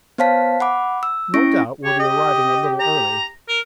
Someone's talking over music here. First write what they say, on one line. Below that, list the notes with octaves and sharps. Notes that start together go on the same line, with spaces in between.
No doubt we'll be arriving a little early.
B3 C5 C#5 F5 A5 B6
F#5 B5 D6
E6
C#4 E4 C#6 A#6 D7
G4 C#5
D#5
A#5
A#4